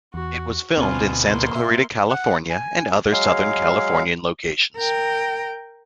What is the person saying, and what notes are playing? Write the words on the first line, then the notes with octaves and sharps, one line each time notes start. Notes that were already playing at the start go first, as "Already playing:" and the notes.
It was filmed in Santa Clarita, California, and other Southern Californian locations.
E2 F#4
D2 B2 C4 F4 G#5
A#3 C6
E5
F#5
G#5
F#3 G#3 F5
A#4 G5